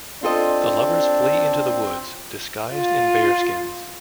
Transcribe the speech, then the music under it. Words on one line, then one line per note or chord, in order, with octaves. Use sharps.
The lovers flee into the woods, disguised in bear-skins.
C4 D4 F4 A4 D#5
F4